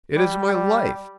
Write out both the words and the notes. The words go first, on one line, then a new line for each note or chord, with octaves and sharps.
It is my life.
G3
G3